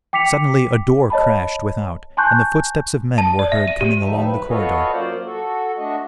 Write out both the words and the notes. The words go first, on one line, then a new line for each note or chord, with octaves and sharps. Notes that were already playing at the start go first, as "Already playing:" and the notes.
Suddenly a door crashed without, and the footsteps of men were heard coming along the corridor.
G5 D6 B6 C#7 F7
C#5 D#5 A5 B5
G#5 A5 C6 C#6 F#6 G6
A5
D5
E5
D#7
G4
D#2 F3 G3 D#4 E5 A5
B4
F4 F#4 A4 B4 C#5 D#5
F#2 A#3 F4 C5 D5
F#4 A4
A3 D4 F#4 D#5